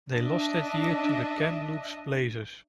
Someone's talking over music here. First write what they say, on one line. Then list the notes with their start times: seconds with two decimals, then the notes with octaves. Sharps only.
They lost that year to the Kamloops Blazers.
0.13 D4 D#5 E5